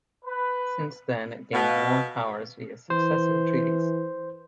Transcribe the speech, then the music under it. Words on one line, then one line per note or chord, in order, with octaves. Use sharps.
Since then it gained more powers via successive treaties.
B4
B2 F5
E3 C5